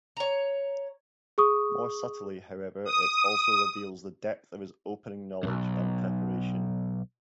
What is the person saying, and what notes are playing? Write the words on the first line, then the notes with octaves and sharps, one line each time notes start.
More subtly, however, it also reveals the depth of his opening knowledge and preparation.
C#5 A#5
G#4 C#6 D#6
D#6
B1 F#2